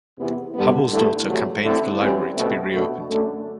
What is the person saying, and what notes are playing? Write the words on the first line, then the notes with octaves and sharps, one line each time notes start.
Hubbell's daughter campaigned for the library to be reopened.
E2 C3 E3 B3
G2 D3 G3 B3
G2 D3 A3 E4
E2 C3 F#3 A3
D3 A3 C4 E4
F#2 E3 G3 C4
B2 A3 C4
B2 A3 D4 F#4
F#2 D3 A3 D4